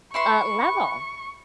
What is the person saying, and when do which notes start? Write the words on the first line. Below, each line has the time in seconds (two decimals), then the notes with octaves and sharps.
uh, level.
0.14 E4 B4 C6 C#6